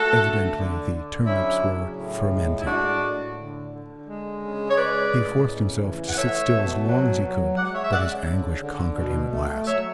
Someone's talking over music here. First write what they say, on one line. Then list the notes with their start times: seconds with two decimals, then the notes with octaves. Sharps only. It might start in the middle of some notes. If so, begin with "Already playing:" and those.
Evidently the turnips were "fermenting." He forced himself to sit still as long as he could, but his anguish conquered him at last.
Already playing: A3 F#4 A4
0.21 D3
0.56 D3
0.91 D3
1.26 F#3 C#4 E4
1.62 C#3
1.96 A2
2.31 G#3
2.61 E4
2.66 A2 D4 F#4
3.01 A2
3.37 D3
3.72 D3
4.06 G#3
4.41 C#3
4.69 C#5
4.76 G#3 B4 D5
5.11 A2
5.47 C#3
5.82 E3
6.09 F#5
6.16 A3 C#5 E5
6.52 B2
6.87 F#3
7.22 F#3
7.57 G#3 D5 F#5
7.74 C#5 E5
7.84 E5
7.91 C#3 D5 F#5
8.27 D3
8.62 D3
8.97 B2
9.32 A3
9.67 F#3 C#5 E5